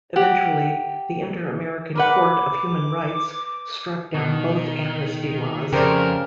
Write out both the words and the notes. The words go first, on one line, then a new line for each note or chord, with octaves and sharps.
Eventually, the Inter-American Court of Human Rights struck down both amnesty laws.
G4 F#5
A#4 B4 F#5 D6
B2 D#3
F2 C#3 A3 G4 A#4 C5 D5